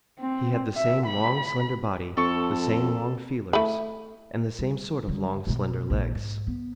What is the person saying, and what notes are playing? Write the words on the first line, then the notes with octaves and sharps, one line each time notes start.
He had the same long, slender body, the same long feelers, and the same sort of long, slender legs.
C4
E5
B5
F2 A4 C#6
A3 E4 B5
G3
D3 G3
B2 G#3
A#1 E3
G#2
B3